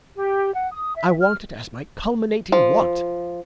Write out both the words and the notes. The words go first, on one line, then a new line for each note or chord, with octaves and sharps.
I want it as my culminating want.
G4
F#5
D#6
E5
F6
F3